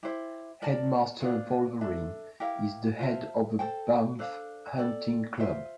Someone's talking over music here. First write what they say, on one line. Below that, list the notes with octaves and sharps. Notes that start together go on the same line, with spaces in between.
Headmaster Wolverine is the head of a "Bamf Hunting Club".
E4 G4 C5 E5
A#4 D5 A5
D4 F4 C5
D4 A4 E5
E4 G4 A#4 F5
F4 C5 E5 A5
A4 C5 G5
D4 A4 C5 F5
A4 D5 G5
F4 C5 E5